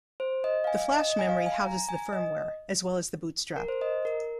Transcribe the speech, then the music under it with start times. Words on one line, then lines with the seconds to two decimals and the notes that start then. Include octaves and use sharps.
The flash memory houses the firmware as well as the bootstrap.
0.20 C5
0.44 D#5
0.64 F5
0.67 G#5
0.92 D#5
1.09 D#5
1.19 G#5
1.29 F5
1.46 G#5
1.64 A#5
1.89 G#5
2.13 D#5
3.56 A#4
3.68 C5
3.81 D#5
4.05 A#4